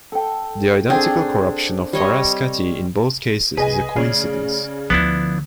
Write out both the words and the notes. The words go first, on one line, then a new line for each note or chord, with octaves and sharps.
The identical corruption of Frascati in both cases is a coincidence.
A4 G5
C4 D4 G#4 A4 G5
G3 C#5 D#5
C2 G#4 B4 D#5 G#5
C#3 A3 G#4 C#5 D5
D2 D3 F3 B3 D4 E4